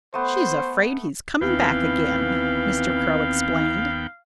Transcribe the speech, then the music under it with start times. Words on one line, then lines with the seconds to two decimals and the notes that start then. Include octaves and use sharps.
"She's afraid he's coming back again," Mr. Crow explained.
0.14 A3 B3 C5
1.41 D#2 E3 B3 C4 F5 G5